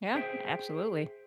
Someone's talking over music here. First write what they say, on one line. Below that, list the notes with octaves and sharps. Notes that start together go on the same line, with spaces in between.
Yeah, absolutely.
G#4 C5 E5 G5